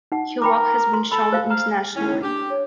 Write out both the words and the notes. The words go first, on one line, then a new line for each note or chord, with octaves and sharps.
Her work has been shown internationally.
D#4 F#5
A#4 G5 B5 D6
C6
A4 B5
C5 F5
F5 A#5
D#2 C#4 E4
D4 G4
C#5